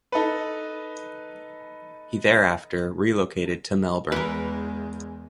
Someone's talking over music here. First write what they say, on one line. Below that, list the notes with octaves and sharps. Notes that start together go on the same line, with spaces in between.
He thereafter relocated to Melbourne.
D#4 A4 B4
E2 E3 G#3 A#4 B4